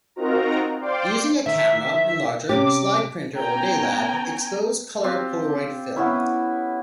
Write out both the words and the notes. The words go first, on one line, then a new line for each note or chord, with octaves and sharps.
Using a camera, enlarger, slide printer or Day Lab, expose colour Polaroid film.
C4 D#4 F4 F#4 A#4 A#5
C5 D5 F5 G5 C6 D6
D#3 E5
C3 C#4 G4 D6
B3 C#4 G5 G#5 A#5
C4 F4 G4
B3 C#4 E4